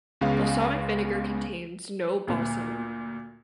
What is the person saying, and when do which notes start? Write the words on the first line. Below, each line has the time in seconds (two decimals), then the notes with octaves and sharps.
Balsamic vinegar contains no balsam.
0.21 C#2 C#3 G#3 B3 F5
2.27 D2 A#2